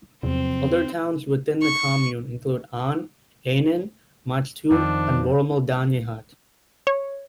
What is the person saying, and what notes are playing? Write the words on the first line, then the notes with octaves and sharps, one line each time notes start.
Other towns within the commune include Ahn, Ehnen, Machtum, and Wormeldange-Haut.
E2 C3 F3 F#3 C4
C#6
F2 D#3 C4 D4 D#4
C#5